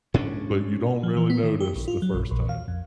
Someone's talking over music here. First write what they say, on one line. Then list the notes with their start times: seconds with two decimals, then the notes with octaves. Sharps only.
but you don't really notice the first time.
0.14 G#2 C#4 D4
1.03 F3
1.17 E3
1.30 B3
1.43 D#3
1.60 G4
1.76 A#1
1.88 F4
2.02 F#3
2.14 A#1
2.31 A#1
2.49 F5
2.68 F2